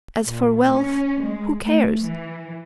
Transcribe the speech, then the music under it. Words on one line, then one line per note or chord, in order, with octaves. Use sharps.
As for wealth, who cares?
A#2
C#4
G#3
A3
E3